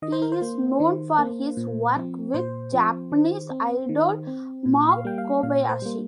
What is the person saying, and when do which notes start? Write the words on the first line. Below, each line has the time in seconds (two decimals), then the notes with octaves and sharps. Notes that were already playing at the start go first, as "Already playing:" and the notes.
He is known for his work with Japanese idol Mao Kobayashi.
0.02 D#3 D#5
0.12 C5
0.22 A#4
0.32 C5
0.42 A#3
0.80 D#3
1.18 A#3
1.57 A#2
1.96 F3 C4
2.34 A#2 C5
2.72 F3 C4
3.12 D#3
3.50 C4
3.89 D#3
4.27 C4
4.66 A#2
4.91 F5
5.05 G3 A#3 G5
5.18 F5
5.43 A#2 F5
5.69 C5
5.82 G3 A#3